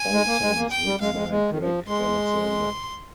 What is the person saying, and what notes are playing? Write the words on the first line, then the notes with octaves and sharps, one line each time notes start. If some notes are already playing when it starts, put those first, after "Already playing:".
All songs written by Gregg Alexander.
Already playing: G#5
G#3
A#3
G#3
A#3
G5
G3
G#3 F5
G#3
G#3
D#3
F3
G#3 C6